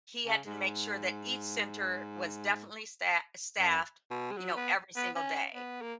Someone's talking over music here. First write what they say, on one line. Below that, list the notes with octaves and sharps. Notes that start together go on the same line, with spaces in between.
he had to make sure that each center was definitely sta staffed, you know, every single day.
C#3
G#2
F#2
B2
G#3
F#3
B3
B3
C#4
B3
A#3